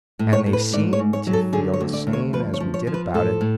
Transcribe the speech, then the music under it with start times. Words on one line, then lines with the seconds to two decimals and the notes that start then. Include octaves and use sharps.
And they seemed to feel the same as we did about it.
0.19 A2
0.33 C#5
0.46 A2
0.53 B4
0.73 G#2 D5
0.93 C#5
0.99 G#2
1.13 C#5
1.27 F#3
1.33 A4
1.53 D3 G#4
1.73 C#5
1.81 D2
1.93 D5
2.07 D2
2.13 C#5
2.33 F3 B4
2.54 C#5
2.60 F3
2.74 C#5
2.87 F3
2.94 B4
3.14 A2 A4
3.41 A2